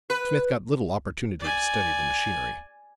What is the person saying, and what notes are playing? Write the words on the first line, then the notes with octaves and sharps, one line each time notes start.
Smith got little opportunity to study the machinery.
B4
D5 G#5